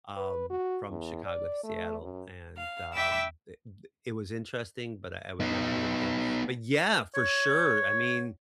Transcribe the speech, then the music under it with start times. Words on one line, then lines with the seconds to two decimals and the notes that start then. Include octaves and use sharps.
um, from Chicago to Seattle. And, um, d d it was interesting, but I I would never do it again. But yeah, for sure I mean,
0.17 B4
0.50 F#4
0.89 E2
1.25 D5
1.64 A3
2.02 F#2
2.56 F5
2.92 E5 G5 B5 D6 E6
5.40 B3 D#4
7.15 C#5